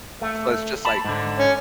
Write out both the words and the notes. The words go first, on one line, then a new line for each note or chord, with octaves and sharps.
So, it's just, like
A3
A5 B5
G#2 D3
C#4